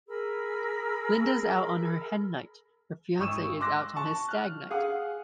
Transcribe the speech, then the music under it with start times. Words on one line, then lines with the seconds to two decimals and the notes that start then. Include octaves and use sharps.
Linda's out on her hen night, her fiance is out on his stag night.
0.08 G#4 A#4 B5 E6
3.19 G#1 C#6 D#6 E6 E7
3.60 C6 D6 E6 F#6 A#6
3.97 A5 C#6
4.29 F6 F#6
4.70 G#4 F5 F#5 D#6